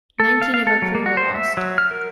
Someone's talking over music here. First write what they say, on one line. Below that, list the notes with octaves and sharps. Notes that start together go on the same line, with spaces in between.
Nineteen of her crew were lost.
A4
F5
F5
A4
F#3
A#3
F#4
C5
E5
F#3
F6
A#4